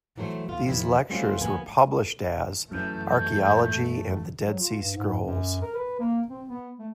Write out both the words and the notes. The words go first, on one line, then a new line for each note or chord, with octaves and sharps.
These lectures were published as "Archaeology and the Dead Sea Scrolls".
E3 F#3 A3 C5
D#2 F4
E2 C3 D#3 F3 E4
G3 A3 C4 C#4 F4 F#4
D2 F3 A#3 B3 B4 G#5
F#2 E3 A3 G6
F#3
F4
G2
G#2
F#2
A#4
B4
A#3
C4
B3
A3